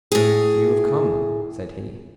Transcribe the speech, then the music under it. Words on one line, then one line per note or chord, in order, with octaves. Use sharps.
"So you have come?" said he.
A2 G#4